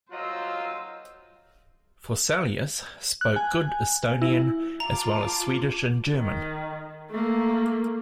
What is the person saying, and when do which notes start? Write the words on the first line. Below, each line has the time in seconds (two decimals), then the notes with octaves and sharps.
Forselius spoke good Estonian as well as Swedish and German.
0.11 D#2 F#3 F4 C5 D#5 E6
3.21 F#6
3.36 G#5
4.22 E4
4.80 F4 A5 A#5 D6
6.16 D#3
7.10 A3 A#3